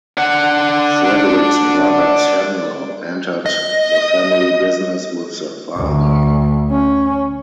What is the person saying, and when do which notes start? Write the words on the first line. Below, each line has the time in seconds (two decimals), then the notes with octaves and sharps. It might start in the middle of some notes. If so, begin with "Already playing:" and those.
Frederick's brother Samuel entered the family business with their father.
0.17 D4 F#5
3.46 D#5
5.77 D2
6.70 C#4